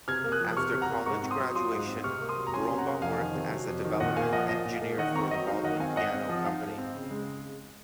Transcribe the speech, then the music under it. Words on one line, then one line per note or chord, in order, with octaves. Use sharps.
After college graduation, Brombaugh worked as a development engineer for the Baldwin Piano Company.
C3 F6 G#6
A#3
D#6 F#6
F3
C3 C#6 F6
C3
F#5 A#5
A#3
G#2 A#5 C#6
C4
C6 D#6
F#3
F4 C6 D#6
G#2
C4
C3 C#6 F6
A#3
C6 D#6
F#3
A#5
C#4 G#5 C6
C3
F#5 A#5
A#3
F2 F5 G#5
D#3
C3
F#3
F2
D#3
A#2 D#5 F#5
A#3 F5 G#5
F3 D#5 F#5
A#2 D#5
A#2
F5
A#3
D#3 D#5 F#5
C4 A#5 C#6
F#3 D#5
D#4 F5
D#3 D#5 F#5
C4 F5 G#5
G#2 D#5 F#5
C4
F3
D#4 F5
G#2
C4
C#3
G#3